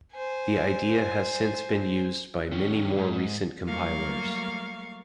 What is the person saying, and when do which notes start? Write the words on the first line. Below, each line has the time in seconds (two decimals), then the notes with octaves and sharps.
The idea has since been used by many more recent compilers.
0.13 C5 G#5
2.52 D#3 C#4
2.97 G#2
3.66 F#3 G3 A3 A#3 F5 C#6